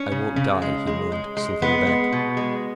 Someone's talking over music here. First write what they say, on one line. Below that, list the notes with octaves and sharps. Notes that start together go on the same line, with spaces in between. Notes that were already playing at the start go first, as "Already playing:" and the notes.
"I won't die," he moaned, sinking back.
Already playing: C#4
C#3
C#3
G#3
G#3
G#3
G#3
G#3 B3
G#3
B2
G#3